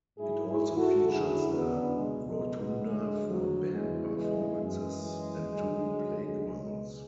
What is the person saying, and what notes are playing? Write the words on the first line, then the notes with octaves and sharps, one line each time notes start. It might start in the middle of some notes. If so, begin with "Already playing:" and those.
It also features a rotunda for band performances, and two playgrounds.
G#2 F#3 E4 G#4
E4 G#4
F#4 A4
F#2 D3 F#3 E4 G#4
B3 D4
C#2 B2 F#3 G#3
G#3 B3
G#3 B3
D2 D3 F#3 G#3
F#3
E2 C#3 E3 G#3
G#3
F#2 E3 G#3
D2 D3 F#3
C#2 B2 F#3 G#3